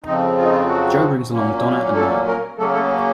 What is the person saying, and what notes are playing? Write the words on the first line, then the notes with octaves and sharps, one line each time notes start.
Joe brings along Donna and Noelle.
F2 C#3 F3 C4 D#4
F4
D#4
F4
F#3 F#4
A#2 F#3 A#3 C#4
A3 A4
A#3 A#4
C#3 F#3 A3 A#3 C#4 A4
A3 A4